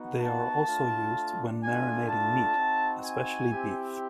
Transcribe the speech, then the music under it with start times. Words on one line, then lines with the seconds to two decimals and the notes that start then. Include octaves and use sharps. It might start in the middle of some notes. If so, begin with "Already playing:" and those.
They are also used when marinating meat, especially beef.
Already playing: B3 D#4 F#4
0.19 A5
0.65 A3 D4 F4
1.60 A3 D4 F4 G#5
2.08 A5
2.56 C4 D#4 F#4
3.02 G#5
3.50 C4 E4 G4